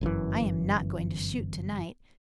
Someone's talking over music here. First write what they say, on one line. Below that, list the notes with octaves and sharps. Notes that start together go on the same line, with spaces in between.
I am not going to shoot to-night.
G1 F#2 D3 E3